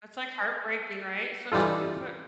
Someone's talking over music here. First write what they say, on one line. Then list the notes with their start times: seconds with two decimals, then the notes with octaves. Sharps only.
It's like heartbreaking, right? Especially if you put
1.52 E3 G3 D#4 F4 A4